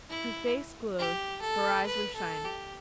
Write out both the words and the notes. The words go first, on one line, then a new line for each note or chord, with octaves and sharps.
Her face glowed, her eyes were shining.
E4
G4
A4
B4
A4
G4